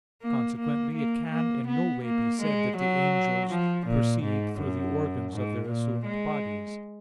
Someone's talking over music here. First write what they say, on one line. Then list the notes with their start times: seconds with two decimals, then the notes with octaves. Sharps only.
Consequently it can in no way be said that the angels perceive through the organs of their assumed bodies.
0.23 A#3
0.59 A#3
0.95 A#3
1.32 A#3
1.68 B3
2.05 A#3
2.41 G#3
2.77 F#3
3.50 F3
3.87 A#2
4.23 G#2
4.59 F#2
5.32 G#2
5.69 A#2
6.05 G#3